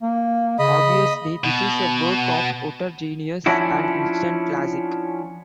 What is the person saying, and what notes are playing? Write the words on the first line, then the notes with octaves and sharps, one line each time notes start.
Obviously this is a work of utter genius, an instant classic.
A#3
C#3 D#5 B5
B2
F3 C#4 D4 E4 F#4